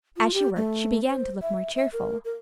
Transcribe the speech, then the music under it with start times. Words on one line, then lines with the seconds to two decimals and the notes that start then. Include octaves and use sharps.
As she worked she began to look more cheerful.
0.17 F4
0.34 G4
0.56 A3
1.09 C5
1.42 E5
1.75 E5
1.93 A#4
2.25 A#4